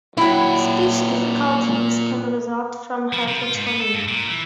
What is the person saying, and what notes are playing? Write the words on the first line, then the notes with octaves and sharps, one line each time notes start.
Speech difficulties can result from hypotonia.
A#2 F#3 E4 G5
F3
C3
F4
G#2
B3
A4
G2
A#2
E3